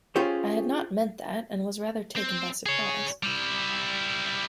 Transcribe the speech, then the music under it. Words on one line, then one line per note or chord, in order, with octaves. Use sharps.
I had not meant that, and was rather taken by surprise.
C#4 F4 G4 G#4 C5 C#5
C4
G#4 C#5
G3 E4